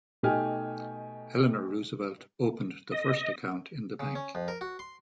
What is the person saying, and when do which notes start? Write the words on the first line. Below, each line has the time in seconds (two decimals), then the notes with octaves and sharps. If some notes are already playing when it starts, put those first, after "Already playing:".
Eleanor Roosevelt opened the first account in the bank.
0.23 B2 A3 D#4 G4 G#5 F6
2.92 D#5
4.00 C#3
4.15 C#4
4.35 F2
4.48 A#4
4.61 F#4
4.79 C6